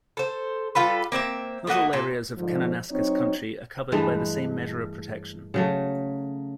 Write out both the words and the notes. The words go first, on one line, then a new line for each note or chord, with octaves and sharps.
Not all areas of Kananaskis Country are covered by the same measure of protection.
A4 C5
G3 F4 A4 B4
A#3 C4 D5 E5
A3 A#3 F#4 D#5
A#2 A4
G#2 D3 F3
F#3 C4 D#4 C#5
G2 E3 G#3 A3
C#3 F#3 A3